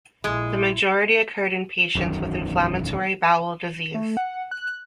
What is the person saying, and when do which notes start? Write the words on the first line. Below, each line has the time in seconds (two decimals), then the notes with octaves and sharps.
The majority occurred in patients with inflammatory bowel disease.
0.24 A#1 G#3 E4
1.95 E1 B1 F#2 D#3
3.94 A3
4.17 F#5
4.51 F#6